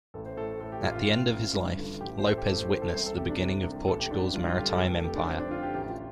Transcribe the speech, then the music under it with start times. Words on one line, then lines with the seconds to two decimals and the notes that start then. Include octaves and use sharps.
At the end of his life, Lopes witnessed the beginning of Portugal's maritime empire.
0.14 A1 A4
0.26 C5
0.37 A2 A4
0.60 A2 A4
0.72 G4
0.83 A1 F4
0.95 F4
1.07 A1
1.31 A1
1.55 G2
1.78 D3
2.01 A1 G4
2.19 C5
2.24 A2 A4
2.38 G4
2.47 A2 A4
2.59 C5
2.71 A1 C5
2.82 A4
2.94 C2 C5
3.06 A4
3.17 C3 G4
3.29 D4
3.41 C3
3.64 C2
3.88 A1 A4
3.99 G4
4.11 A1 D4
4.22 D4
4.34 G2 F4
4.46 F4
4.58 D3 G4
4.69 A4
4.81 F1 A4
4.92 A4
5.04 F1 G4
5.16 D4
5.27 F2 C4
5.39 D4
5.51 D3 F4
5.63 G4
5.74 A1 G4
5.89 F4